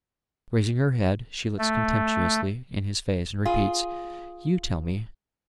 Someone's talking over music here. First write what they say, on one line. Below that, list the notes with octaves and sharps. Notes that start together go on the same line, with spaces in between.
Raising her head, she looks contemptuously in his face, and repeats, 'You tell me!
A3
F4 G#4